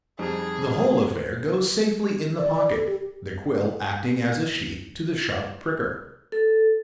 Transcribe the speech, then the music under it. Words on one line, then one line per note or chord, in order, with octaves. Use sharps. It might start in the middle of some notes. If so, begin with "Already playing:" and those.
The whole affair goes safely in the pocket; the quill acting as a sheath to the sharp pricker.
F2 G3 D#4 G#4
D5
D5
A4
G4
A4